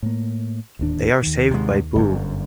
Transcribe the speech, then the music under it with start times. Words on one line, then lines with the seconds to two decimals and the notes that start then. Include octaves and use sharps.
They are saved by Boo.
0.03 A2 A#3
0.79 D1 D#2 D4
1.22 D#2 D#3
1.51 C3 G#3
1.95 G1 F#2